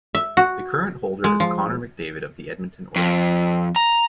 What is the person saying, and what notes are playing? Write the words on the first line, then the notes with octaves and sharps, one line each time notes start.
The current holder is Connor McDavid of the Edmonton Oilers.
E5
F#4
G#3
F3
F2
A#5